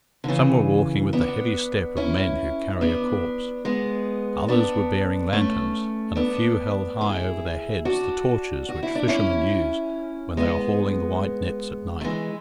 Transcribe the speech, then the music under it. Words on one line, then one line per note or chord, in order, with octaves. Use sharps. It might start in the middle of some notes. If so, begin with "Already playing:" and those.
Some were walking with the heavy step of men who carry a corpse. Others were bearing lanterns, and a few held high over their heads the torches which fishermen use when they are hauling the white nets at night.
D3
C#3 E3
B3 D4
C#4 E4
B3 D4
G#3 B3
B3 D4
A3 C#4
B3 D4
E4 G#4
D4 F#4
F#4
E4
D4
C#4 E4
G#3 B3
A3
E3 G#3